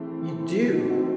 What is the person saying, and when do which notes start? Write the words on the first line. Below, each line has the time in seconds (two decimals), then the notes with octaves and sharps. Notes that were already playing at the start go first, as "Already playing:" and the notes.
You do.
Already playing: E3 A3 C4 E4 G#4
0.73 E3 A3 C4 D#4 F#4
0.90 D#4 F#4